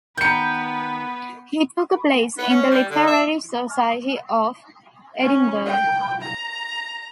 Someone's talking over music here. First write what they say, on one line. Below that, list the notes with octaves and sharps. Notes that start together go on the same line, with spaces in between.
He took a place in the literary society of Edinburgh.
D#3 B3 B4 A#5 G6 C#7
B3
C#4
G3
D3
E5
C#4
G5
A#5